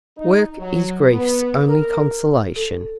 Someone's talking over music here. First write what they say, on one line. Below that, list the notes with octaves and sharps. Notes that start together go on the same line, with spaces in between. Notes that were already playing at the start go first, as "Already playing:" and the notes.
Work is grief's only consolation.
D#4
F#3
B3
A#4
A4